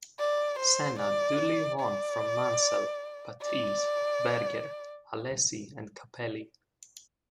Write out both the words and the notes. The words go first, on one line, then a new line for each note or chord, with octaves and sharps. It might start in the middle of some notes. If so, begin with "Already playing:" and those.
Senna duly won from Mansell, Patrese, Berger, Alesi, and Capelli.
D5
C5
D5
D5
D5